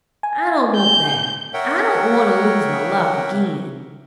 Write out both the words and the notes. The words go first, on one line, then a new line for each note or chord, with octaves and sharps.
"I don't want that. I don't want to lose my luck again."
G#5
G6
A#4 C#5 E5 F#5 G5